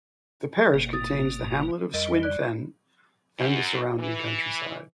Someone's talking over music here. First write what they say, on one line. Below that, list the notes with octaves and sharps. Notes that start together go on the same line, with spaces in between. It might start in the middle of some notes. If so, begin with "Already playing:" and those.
The parish contains the hamlet of Swinfen and the surrounding countryside.
G1 B2 A#3
D#6 A6
F2 G3 A#4 D#5
D5 F#6
F#2
E3